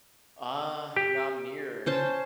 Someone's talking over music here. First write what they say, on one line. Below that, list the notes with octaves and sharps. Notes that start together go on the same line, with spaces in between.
Uh, no, I'm near
G4
C#4 C5 A5